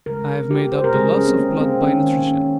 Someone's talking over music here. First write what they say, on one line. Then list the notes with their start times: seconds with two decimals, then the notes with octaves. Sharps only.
I have made up the loss of blood by nutrition.
0.06 C#3 G#3 A#4
0.51 G4
0.62 G4
0.72 C5
0.84 A#4
0.94 C#3 G#3 G#4
1.17 C#4
1.27 C4
1.38 A#3
1.60 C4
1.82 D#3 A#3 C#4
2.27 C#4